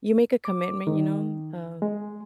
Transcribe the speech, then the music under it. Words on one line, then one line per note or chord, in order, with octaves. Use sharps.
you make a commitment, you know, uh,
D6
D#3
G#3